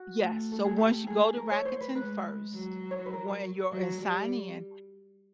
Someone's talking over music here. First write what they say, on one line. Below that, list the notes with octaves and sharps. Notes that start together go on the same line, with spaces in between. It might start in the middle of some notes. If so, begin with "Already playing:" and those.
Yes, so once you go to Rakuten first, when you're and sign in,
Already playing: F#4
A3
A4
G#4
G4
G#4
A#4
C#5
C5
B4
G#3 B4
F#3
C#5
C5
B4
A#4
F#3
G3